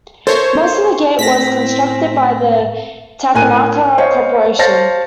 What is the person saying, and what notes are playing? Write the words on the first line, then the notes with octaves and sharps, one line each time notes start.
Most of the gate was constructed by the Takenaka Corporation.
A4 A#4 C5 C#5 E5
A2 C4 A#6 B6
A2 A#4 G#5 F#6 D#7
C5 C#5 D#5 F5
C5 C#5 F5 A5 A6 A#6